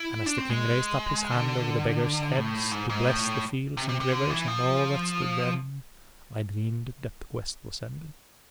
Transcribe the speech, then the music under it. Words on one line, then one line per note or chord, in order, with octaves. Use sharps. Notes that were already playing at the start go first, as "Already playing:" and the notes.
And as the King raised up his hand over the beggars' heads to bless the fields and rivers and all that stood therein, I dreamed that the quest was ended.
Already playing: E4
D4
C4
G#3
D3
A2
G#2
G#2
A2
C3
C3
C3
D3
E3
F3